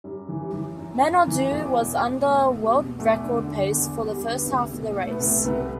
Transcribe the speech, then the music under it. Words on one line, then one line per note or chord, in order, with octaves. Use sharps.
Manaudou was under world record pace for the first half of the race.
F#2 G3
E3
G3
E3
F#2
F#2
E3
E2
B2
B2
E2 A3
E2
G3
B2
E2 A3
D3
D3
E2
E2
G3
D3
B3
C2 A3
B2
A3
B2
A3
B3
C2 A3
B3
A3
C2 B3
A3